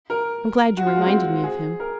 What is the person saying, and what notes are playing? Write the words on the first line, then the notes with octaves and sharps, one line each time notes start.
I'm glad you reminded me of him.
A#4
F#4
F4
G#3
C4
G#4
A#4